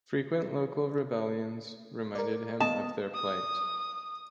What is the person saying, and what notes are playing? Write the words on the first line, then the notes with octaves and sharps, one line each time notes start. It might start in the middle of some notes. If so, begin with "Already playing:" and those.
Frequent local rebellions reminded him of their plight.
A#4 D5
B3 D#5 A5
D#6